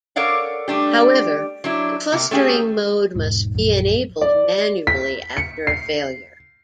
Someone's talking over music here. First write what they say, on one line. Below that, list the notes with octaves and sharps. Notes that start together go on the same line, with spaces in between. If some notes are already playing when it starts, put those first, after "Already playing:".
However, the clustering mode must be enabled manually after a failure.
A4 A#4 C#5 D5 F5 F#5
G3 A3 D4 G4
F#3 D4 E4
C3 A#3
A3 C#4 G4 G#4
E1 G#2
A#1 F#2
D5
B6
C#7
C7